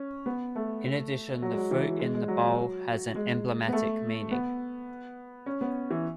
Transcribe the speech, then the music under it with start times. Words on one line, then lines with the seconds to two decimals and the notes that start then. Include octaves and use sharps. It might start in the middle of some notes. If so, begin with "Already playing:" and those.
In addition, the fruit in the bowl has an emblematic meaning.
Already playing: C#4
0.26 B3
0.56 A3
1.42 F#3
1.50 G#3
1.58 F#3
1.71 E3
1.99 G#3
2.14 G#3
2.28 F#3
3.15 G#3
3.68 B3
3.73 A3
4.31 B3
5.46 C#4
5.61 B3
5.91 E3